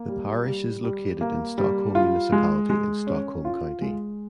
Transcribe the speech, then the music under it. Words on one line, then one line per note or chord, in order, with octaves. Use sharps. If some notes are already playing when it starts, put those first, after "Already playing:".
The parish is located in Stockholm Municipality in Stockholm County.
Already playing: A#3
G3
G3
G3
A#3
G3
F4
G#3
G#3
C#4
F4
G#3